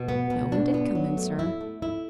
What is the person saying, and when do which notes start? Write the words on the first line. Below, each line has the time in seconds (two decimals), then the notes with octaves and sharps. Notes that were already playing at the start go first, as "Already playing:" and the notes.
"No one did come in, sir."
Already playing: B2
0.08 B3
0.30 B2
0.52 D4
0.74 B3
0.95 F#3
1.17 A3
1.39 E4
1.61 A3
1.82 E4